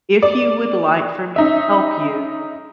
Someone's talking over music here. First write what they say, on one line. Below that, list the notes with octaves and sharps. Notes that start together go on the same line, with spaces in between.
If you would like for me to help you,
D5
C#4 D#4 E5